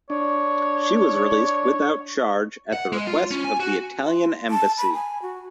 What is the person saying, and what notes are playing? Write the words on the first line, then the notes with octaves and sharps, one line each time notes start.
She was released without charge at the request of the Italian embassy.
D4 C#5
F#5
G#3
F4
C#4
G#5
F#4
C6
A5
B5
G#5
F#4